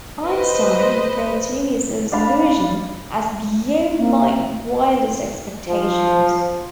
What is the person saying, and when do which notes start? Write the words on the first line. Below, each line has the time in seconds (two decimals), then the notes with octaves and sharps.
Einstein referred to his resolution as beyond my wildest expectations.
0.23 B4 C5 D#5
2.12 D4 D5 F5 B5
3.98 A#3
5.67 F3